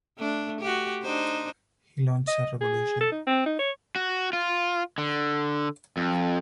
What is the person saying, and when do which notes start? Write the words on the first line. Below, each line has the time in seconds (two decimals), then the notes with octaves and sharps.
He launched a revolution.
0.18 A3 D4
0.61 F#4 G4
1.03 D4 D#4 C5
2.27 D#5
2.61 G#4
3.01 A4
3.12 D#4
3.27 C4
3.46 D#4
3.59 C#5
3.96 F#4
4.33 F4
4.98 D3
5.97 F2